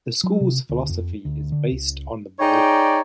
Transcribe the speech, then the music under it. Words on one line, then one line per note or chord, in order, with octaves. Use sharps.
The school's philosophy is based on the Bible.
F#3
C3
D2
F2
D2
D3
C#2
D#4 G#4 C#5 D5 G5 A#5